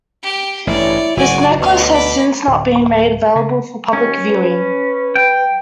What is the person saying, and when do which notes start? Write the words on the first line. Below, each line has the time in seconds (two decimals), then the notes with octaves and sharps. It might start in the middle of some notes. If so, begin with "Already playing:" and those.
This necklace has since not been made available for public viewing.
0.23 G4 G5
0.67 A1 G2 E4 C#5 D5
1.17 F#1 G#2 F#4 D5 G#5
1.60 D2 B2 C#4 F5
1.91 B5 D6
2.48 D1
3.36 C#3
3.93 D#2 C#4
4.28 B4
5.16 G5